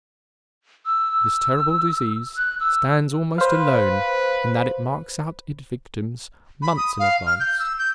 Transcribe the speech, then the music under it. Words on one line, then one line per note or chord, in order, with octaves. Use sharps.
This terrible disease stands almost alone in that it marks out its victim months in advance.
E6
F#6
E6
B4 C5 F5
B5
D#6
F5
F6
G6
E6
G6